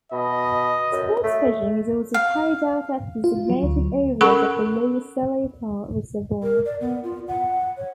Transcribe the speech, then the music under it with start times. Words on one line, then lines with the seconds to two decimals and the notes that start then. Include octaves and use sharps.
Sports fishing is also carried out at designated areas of the Lower Seletar Reservoir.
0.12 B2 D#5
0.92 F#2
1.24 A3
2.14 F5
3.24 F4
3.50 F#3
3.63 D2
4.21 C#4 A4 A#4 F#5 B5 C#6
6.43 A#4
6.66 D5
6.81 B3
7.04 F4
7.28 F#5
7.77 C#5